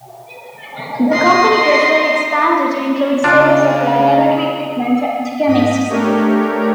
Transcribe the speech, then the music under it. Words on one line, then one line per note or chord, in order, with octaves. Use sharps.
The company gradually expanded to include sales of laboratory equipment to chemists.
D#5 C6
C#3 D4 F4
G#2 D#5 B6 D#7
A3 D4 G4 A#4 C#5